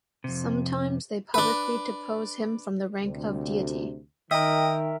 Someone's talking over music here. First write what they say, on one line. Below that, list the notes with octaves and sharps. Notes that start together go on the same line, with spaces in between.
Sometimes they publicly depose him from the rank of deity.
F2 C3
D4 B4
D2 C3
D#3 A#4 D#5 E5 G5